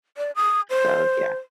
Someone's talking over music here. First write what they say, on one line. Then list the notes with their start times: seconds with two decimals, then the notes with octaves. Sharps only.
so, yeah.
0.17 D5
0.36 D#6
0.70 C5